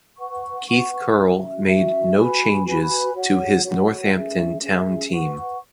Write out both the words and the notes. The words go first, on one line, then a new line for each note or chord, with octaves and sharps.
Keith Curle made no changes to his Northampton Town team.
B4 F#5 C#6
B4 F#5 C#6
C#4 F#4 E5
C#4 F#4 E5
F#4 B4 G#5 B5
F#4 B4 G#5 B5
F#4 C#5 F#5
F#4 C#5 F#5
C#4 G#4 E5
C#4 G#4 E5
B4 F#5 C#6